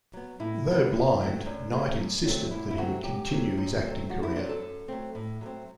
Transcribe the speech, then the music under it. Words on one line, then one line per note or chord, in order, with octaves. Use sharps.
Though blind, Knight insisted that he would continue his acting career.
F#3 B3
A2 E4
F#3 B3
F#2
F#3 A3 C4
F#2 D4
F#3 A3 C4
F#2
F#3 A3 C4
F#2 E4
E4
F#3 A3 C4 F#4
F#2 G4
F#3 A3 C4
F#2
F#3 A3 C4
F#2 F#4
E4
F#3 A3 C4 D4
A4
F#2
F#3 A3 C4
A2
F#3 A3 C4